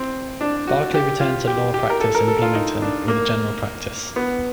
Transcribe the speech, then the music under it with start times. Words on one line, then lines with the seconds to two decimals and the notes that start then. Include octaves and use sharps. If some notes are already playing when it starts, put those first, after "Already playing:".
Barkley returned to law practice in Bloomington, with a general practice.
Already playing: C4
0.41 D4
0.67 F#4
0.94 G4
1.20 F4
1.47 G4
1.74 G4
1.90 A#4
2.00 A4
2.15 A#4
2.28 A4
2.42 F4
2.55 D#4
2.82 D4
3.08 A#3
4.16 B3